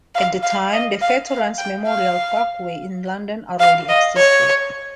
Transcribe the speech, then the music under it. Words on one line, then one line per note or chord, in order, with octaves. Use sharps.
At the time, the Veterans Memorial Parkway in London already existed.
F5
F5
D#5
F5
F5
G5
F5
F5
D#5
C#5